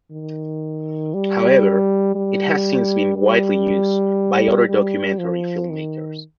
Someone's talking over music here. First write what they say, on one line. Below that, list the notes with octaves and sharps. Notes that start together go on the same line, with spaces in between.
However it has since been widely used by other documentary filmmakers.
D#3
G3
G3
G3
G3
F3
D#3